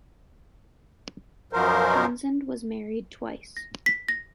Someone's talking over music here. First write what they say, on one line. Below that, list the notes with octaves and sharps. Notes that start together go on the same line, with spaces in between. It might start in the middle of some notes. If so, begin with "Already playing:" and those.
Townsend was married twice.
F#2 B2 F3 F#3 A#4 C5
A#6
B6
A#6